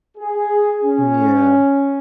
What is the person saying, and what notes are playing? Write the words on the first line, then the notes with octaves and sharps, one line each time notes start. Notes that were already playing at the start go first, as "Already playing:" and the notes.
Mm, yeah.
G#4
C#4